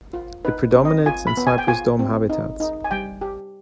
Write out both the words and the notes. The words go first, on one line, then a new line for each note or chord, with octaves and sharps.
It predominates in cypress dome habitats.
F4
D#4 B4
C4
D#5
F4 G#5
B5
B3
G#5
G5
F4 G#5
C4
D#4
D#4
G#5
G3 G5
G4